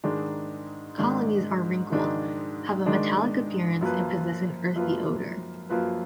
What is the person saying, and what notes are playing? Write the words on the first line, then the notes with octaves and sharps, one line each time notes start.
Colonies are wrinkled, have a metallic appearance, and possess an earthy odour.
G#2 D#3 G#3 D4
G#2 D#3 G#3 D4
G#2 D#3 G#3 D4
G#2 D#3 G#3 D4
F#2 F3 A#3 F4 B4
F#2 F3 A#3 F4 B4
F#2 F3 A#3 F4 B4